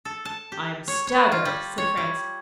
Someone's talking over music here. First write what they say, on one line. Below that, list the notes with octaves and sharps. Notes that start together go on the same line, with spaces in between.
"I am staggered," said Francis.
A4
A5
G4
C#5
C#5
F4
G3
C#5
G3